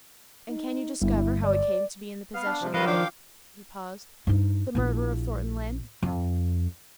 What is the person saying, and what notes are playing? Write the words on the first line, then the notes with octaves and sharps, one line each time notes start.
"And can you discover how it came to be in the possession of----" he paused, "the murderer of Thornton Lyne?"
D#4
G1 E4
D5
B3 F5
D4
C3 F3
C3 D#3 F3 B4 D#5 F5
D#3 D4 F5 G5 D6
G2 D#4
A#1 E4
F2